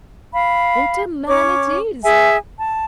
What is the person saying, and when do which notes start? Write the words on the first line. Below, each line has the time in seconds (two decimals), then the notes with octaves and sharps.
What a man it is!
0.33 F5 B5
1.28 C#4 C#5 D6
2.04 G#4 E5 G#5
2.59 A5